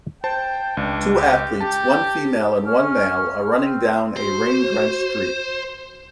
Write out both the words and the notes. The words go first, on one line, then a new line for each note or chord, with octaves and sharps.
Two athletes, one female and one male are running down a rain drenched street.
C5 G5 A5
C#2 D4
G4
G4 A5
C#4 F6
C4
F#4 C5